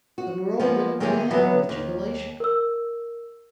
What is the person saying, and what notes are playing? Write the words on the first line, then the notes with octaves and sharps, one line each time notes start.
The world went mad with jubilation.
F#4
F3 G#3 A#3 B3
D#3 E3 G#3 A#3 G4 G#4
E3 F#3 B3
D#2
A#4 E6